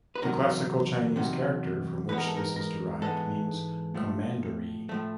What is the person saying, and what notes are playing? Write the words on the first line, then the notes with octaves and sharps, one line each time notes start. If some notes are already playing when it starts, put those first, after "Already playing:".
The Classical Chinese character from which this is derived means commandery.
B4
E2 C3 D#3 F#3 A#4
E2 C3 D#3 F#3
G#2 E3 G#3 B3 B4
A#4
A4
A#4
A#4
G#2 E3 G#3 B3 A4
A2 F3 A3
A2 F3 A3